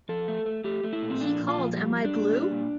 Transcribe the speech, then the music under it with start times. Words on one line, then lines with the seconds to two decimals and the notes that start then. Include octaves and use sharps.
He called Am I Blue?
0.09 F3 A4
0.28 A3
0.46 A3
0.64 A3 G4
0.83 A3
0.93 E4
1.02 A#2
1.10 C4
1.21 F3 D4
1.39 A#2
1.48 F4
1.58 F3
1.77 G3
1.96 G3
2.05 D4
2.15 A#2
2.33 G3
2.51 A#2